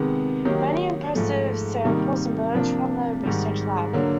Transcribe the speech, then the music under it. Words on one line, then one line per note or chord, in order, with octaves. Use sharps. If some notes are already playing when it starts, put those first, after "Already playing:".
Many impressive samples emerged from the research lab.
Already playing: C3 D#3 G#3 B3
D#3 F#3 A#3 D#4 G4
G#2 F3 A3
C3 D#3 G3 A#3 D#4
C3 F3 A#3 D4
G#2 D#3 G3
D3 F#3 A#3